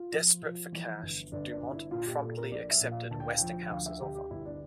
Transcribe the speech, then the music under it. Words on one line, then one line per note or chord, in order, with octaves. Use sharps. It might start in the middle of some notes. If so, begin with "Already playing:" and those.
Desperate for cash, DuMont promptly accepted Westinghouse's offer.
Already playing: F4
F3
F3
E3
G1
G1 D4
D4
G1
E4
A#2 F4
G4
A#2 A4
A#4
A#1 D5
E5
A#2
F5
D2 A5
G5
F5
F3 G5
G5
D2 F5
E5
D2 G4
G4
G1 E4
D4